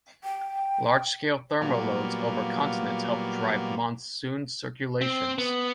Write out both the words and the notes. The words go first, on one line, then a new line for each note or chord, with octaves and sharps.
Large-scale thermal lows over continents help drive monsoon circulations.
G5
A#2 F#3 G3 A#3 B3 F4
C4
B3